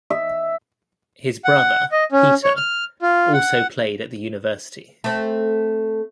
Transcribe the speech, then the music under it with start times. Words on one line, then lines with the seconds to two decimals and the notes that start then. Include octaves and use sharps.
His brother, Peter, also played at the university.
0.10 E5
1.45 F#5
1.92 D#5
2.12 C#4
2.44 C#5
2.57 F6
3.02 F4
3.34 F#5
5.04 A3 C4